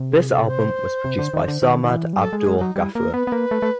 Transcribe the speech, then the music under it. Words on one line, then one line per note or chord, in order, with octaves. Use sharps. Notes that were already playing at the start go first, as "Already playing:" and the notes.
This album was produced by Sarmad Abdul Ghafoor.
Already playing: C3
G#4
A4
C5
C3
D3
D#3
D3
D#3
D#3
E3
G3
F#3 A4
G#3
G#4
G#3
F#3 D#4
G3 E4
A#3 A#4
B3 B4
B3
A#3
A3
A3